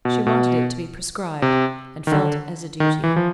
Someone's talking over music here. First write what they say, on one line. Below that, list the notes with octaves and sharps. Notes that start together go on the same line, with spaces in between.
She wanted it to be prescribed, and felt as a duty.
B2
B2
C3
D#3
D3
D#3
E3
F3